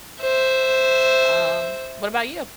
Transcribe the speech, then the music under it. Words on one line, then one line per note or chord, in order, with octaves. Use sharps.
Um, what about you?
C5 E5